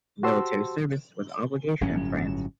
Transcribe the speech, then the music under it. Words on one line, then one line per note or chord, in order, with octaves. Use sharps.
Military service was an obligation in France.
F#4 G4 C5 A5 C6 E6
G1 A2 F#3 C#4